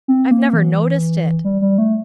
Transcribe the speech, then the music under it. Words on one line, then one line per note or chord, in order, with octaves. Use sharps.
"I've never noticed it."
C4
A#3
E3
G3
G3
A3